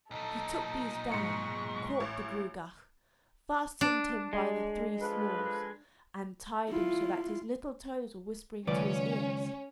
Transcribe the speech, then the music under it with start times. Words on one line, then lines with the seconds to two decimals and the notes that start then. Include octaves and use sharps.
He took these down, caught the Gruagach, fastened him by the three smalls, and tied him so that his little toes were whispering to his ears.
0.11 B1 A#2 D#4 A4
1.12 G#2 C#6 C#7
2.00 A1
3.81 D4
4.33 G#3
5.01 F3 A4 B4
6.69 E4 F4
8.67 C#2 D#3 F#3 C#4 B4 D5